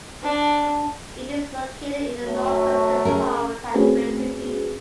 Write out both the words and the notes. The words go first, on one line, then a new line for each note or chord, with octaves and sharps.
It is located in the north-western part of Taguig City.
D4
F#2 F#3 A3
C#4 G#4 A#4
A3 C4 C#4 F#4 G#4 B4